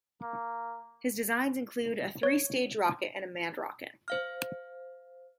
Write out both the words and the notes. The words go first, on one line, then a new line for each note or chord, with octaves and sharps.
His designs include a three-stage rocket and a manned rocket.
A#3
C#5
C5 F5 F6